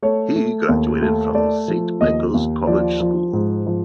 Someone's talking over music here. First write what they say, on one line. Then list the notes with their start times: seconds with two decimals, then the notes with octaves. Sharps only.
He graduated from Saint Michael's College School.
0.02 A3 C#5
0.36 A3
0.69 D#2
1.02 A3
1.34 A3 D5
1.68 F3
2.01 D#2 D#5
2.34 D#2
2.67 F3 D5
3.00 F3
3.33 G#2
3.67 F3